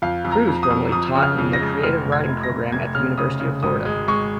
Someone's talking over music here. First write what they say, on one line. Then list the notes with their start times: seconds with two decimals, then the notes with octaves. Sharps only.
Crews formerly taught in the creative writing program at the University of Florida.
0.02 F2 F5
0.25 F2
0.32 A#5
0.47 F2
0.63 D#6
0.70 F2
0.92 F2 D#6
1.15 C#3
1.22 F6
1.38 F2
1.53 A#6
1.60 G#3
1.83 F1 F6
2.05 F1
2.12 G#6
2.28 F1
2.43 A#6
2.51 F1
2.72 F1 G#6
2.95 C#3 F6
3.18 C#3 D#6
3.40 C#3
3.63 G#1 D#6
3.86 G#3
4.08 G#3 C#6